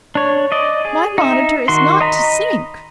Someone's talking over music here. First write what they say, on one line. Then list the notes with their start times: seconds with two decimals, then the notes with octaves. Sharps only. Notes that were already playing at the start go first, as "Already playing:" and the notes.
"My monitor is not to sink!"
0.15 D4 C#5
0.52 D5 D#5
0.85 G#4
1.18 D#4 E5
1.68 D#3 F#4 C6
2.01 D#5 A#5 B5